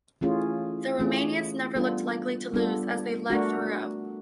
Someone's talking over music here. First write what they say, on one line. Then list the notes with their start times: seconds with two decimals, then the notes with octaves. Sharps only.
The Romanians never looked likely to lose as they led throughout.
0.21 E3 A3 C#4 F4 G#4
0.99 E3 A3 C#4 F4 G#4
1.76 G3 B3 D4 F4 A4
2.54 G3 B3 D4 F4 A4
3.30 A3 D4 F#4 A#4